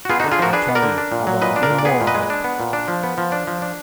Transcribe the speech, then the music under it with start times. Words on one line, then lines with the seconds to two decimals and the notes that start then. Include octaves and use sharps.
I tell you, I want no more of it.
0.05 F#4
0.09 B3 F4 G#4
0.20 D#4 F#4
0.24 D3
0.32 F4 G#4
0.39 F3 F#4 A#4
0.53 D4 G#4 B4
0.68 B3
0.75 A#4 D5
0.82 D3
0.98 D4
1.12 A#2
1.27 F#3
1.42 A#2 B4 D#5
1.56 D4
1.63 A#4 D5
1.70 A#2
1.78 D5
1.85 B3 G#4 B4
2.01 A#2
2.07 B4 D#5
2.15 G#3
2.30 D4
2.44 B3
2.60 A#2
2.73 D4
2.88 F3
3.03 B3
3.18 F3
3.32 D4
3.47 F3
3.62 D4